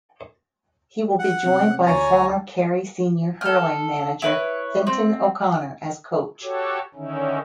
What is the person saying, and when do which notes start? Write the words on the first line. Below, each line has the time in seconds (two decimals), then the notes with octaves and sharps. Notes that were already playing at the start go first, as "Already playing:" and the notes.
He will be joined by former Kerry senior hurling manager Fintan O’Connor as coach.
1.19 F#5
1.43 C3 C#4
1.86 D2 D4 C#5 G#5 A#5 A6
2.26 A5
3.41 A4 F6
4.22 E4 B4 C#5
4.87 C4
6.42 F#4 G4 A4 C#5
6.94 D3 D#3 C#4 D#4 E4